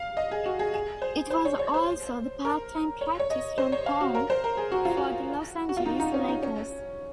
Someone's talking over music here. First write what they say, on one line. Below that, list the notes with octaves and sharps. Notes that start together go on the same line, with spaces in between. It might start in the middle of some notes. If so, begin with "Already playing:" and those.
It was also the part-time practice home for the Los Angeles Lakers.
Already playing: F5
D#5
G#4
F#4
G#4
G#4
C5
C5
C#5
C#5
C5
A#4
C#5
C#5
D#5
C5
C#5
F5
F#4
A#4
C5
A#4
G#4
F#4
F4
F#4
F#4
F4
D#4
D#4
C#4
D#4
C#4